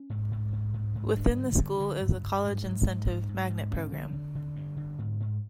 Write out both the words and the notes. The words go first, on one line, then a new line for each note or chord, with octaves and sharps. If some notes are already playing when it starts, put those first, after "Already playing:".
Within the school is a College Incentive Magnet Program.
Already playing: C#4
G#2
G#2
G#2
G#2
G#2
G2 D4
D3
D3
D3
G2
G2
G#2
G#2
G#2
G#2
G#2
G#2
D3 C#4
D3
D3
D3
G2
D3
G#2
G#2